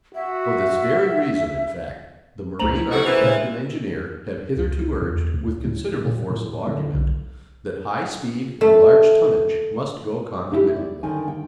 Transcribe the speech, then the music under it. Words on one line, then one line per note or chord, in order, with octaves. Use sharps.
For this very reason, in fact, the marine architect and engineer have hitherto urged, with considerable force of argument, that high speed and large tonnage must go concomitantly.
F#4 E5
C#2 A3 C5 A#5 F7 F#7
E4
D#3 G#3 F#4 A4
E3 C5 F6 G6 F7
A#2 G#3
C#2
E2
D2
A2
A#2
A2
D3
B1
A3
G#3 D#4 E4 G4
D5
D3 D#3 G#5
G5